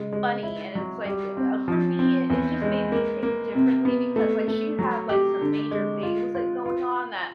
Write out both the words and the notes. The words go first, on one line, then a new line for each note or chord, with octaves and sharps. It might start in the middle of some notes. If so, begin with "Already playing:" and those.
funny, and it's like eh eh, for me i it just made me think differently because, like, she had, like, some major things, like, going on that
Already playing: C#3 G#3
G#3
E4
F#3
G3
C4
F3
C4
E2
G#3
A#3
A#3
C3
B3
A3
A3
F#3
G4
D3
G#3
F4
F4
F4